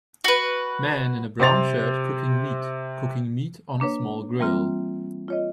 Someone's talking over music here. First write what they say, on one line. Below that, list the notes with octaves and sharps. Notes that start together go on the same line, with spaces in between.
Man in a brown shirt cooking meat cooking meat on a small grill.
F#4 B4
C3 C4 C6 A6 F7
A#3 D4 B4 C#5
E3 G3 A#3 C4 F4
F4 C#5 D#5